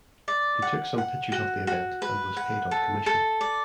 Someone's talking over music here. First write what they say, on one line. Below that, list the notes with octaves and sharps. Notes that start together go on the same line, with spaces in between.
He took some pictures of the event, and was paid on commission.
D5
F#5
F#5
F#4
F#4
B4
F#5
A4
A4
D5